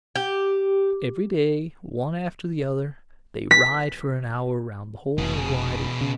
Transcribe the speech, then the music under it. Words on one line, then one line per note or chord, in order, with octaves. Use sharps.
Every day, one after the other, they ride for an hour round the whole wide world.
G4
B6
F1 B2 G#4
C#3